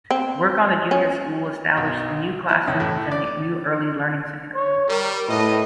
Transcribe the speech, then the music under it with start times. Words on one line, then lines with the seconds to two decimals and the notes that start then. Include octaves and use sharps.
Work on the junior school established new classrooms and the new Early Learning Centre.
0.11 C4
0.91 C#4
1.77 B1
2.49 E4
2.67 C#2
2.80 A2
3.12 D5
4.55 C#5
4.89 G3 A#4
5.28 A2 B4 D#5